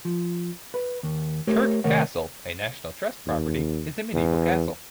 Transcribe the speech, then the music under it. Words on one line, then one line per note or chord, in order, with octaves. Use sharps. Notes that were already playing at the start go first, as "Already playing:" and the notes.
Chirk Castle, a National Trust property, is a medieval castle.
F3
B4 B5
D#2
A3 G4 A#4 C5 C#5
C3 D#3 A3 A#4 C#5 F#5
D#2
E2